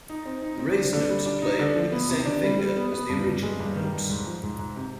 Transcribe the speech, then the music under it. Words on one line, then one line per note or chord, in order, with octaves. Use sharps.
The raised notes are played with the same finger as the original notes.
D#4
C4
D#4
C4
D4
D3
G3
D4
D#4
D3
F3
B3
C3
D4
G3
G3
B3
B3
G2
G2
G#3
G2
D#3
G2
G#2
F3
G#2
G#2
C3